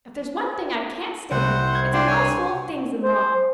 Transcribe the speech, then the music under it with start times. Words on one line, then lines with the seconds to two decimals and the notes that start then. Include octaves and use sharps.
"If there's one thing I can't stand, it's a houseful of things-in-law!"
1.31 C2 C5 F#5
1.75 G#6
1.93 D4 C5 D5 G5 C6
2.07 C#5 G#5
3.03 C5